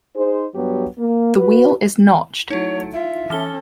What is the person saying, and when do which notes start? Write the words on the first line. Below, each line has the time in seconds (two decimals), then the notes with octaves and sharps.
The wheel is notched.
0.15 D#4 G#4 C5
0.54 G2 F#3 B3 G4
0.98 A#3
1.37 F#4 B4
2.50 F#3 A3 D#4 E4 C#5
2.94 F4 E5
3.30 E3 C#4 A4 F6 G7